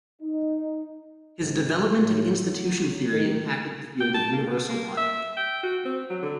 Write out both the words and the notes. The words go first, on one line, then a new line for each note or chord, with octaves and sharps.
His development of institution theory impacted the field of universal logic.
D#4
G#2
A2
F#3
D#3
G5
A5
A#3
B3
A#3
E5
G5
F#4
C4
F#3
D3